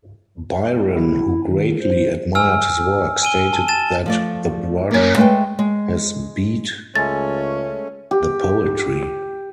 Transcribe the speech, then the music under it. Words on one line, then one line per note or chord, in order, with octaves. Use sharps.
Byron, who greatly admired his work, stated that "the brush has beat the poetry".
E4
D#3
C5
G#5 E6 F6
G#5 D#7 G7
A5
A5 A6 E7
F3 A3 D5
F#2 A#3
G#3 A3 B4 F#5 G5
G#3
C#2 G#3 A3 C#4 A6
G4